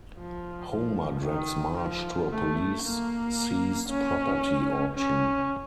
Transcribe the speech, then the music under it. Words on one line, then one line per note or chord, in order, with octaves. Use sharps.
Homer drags Marge to a police seized-property auction.
F3
F3
D#3
F3
A3
A#3
C#4
C#4